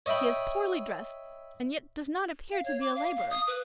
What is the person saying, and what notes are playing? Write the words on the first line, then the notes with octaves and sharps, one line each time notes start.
He is poorly dressed, and yet does not appear to be a labourer.
C#5 D#5 E5 G5 B5
F5
C#5
D6
F5
F5
D#6
B4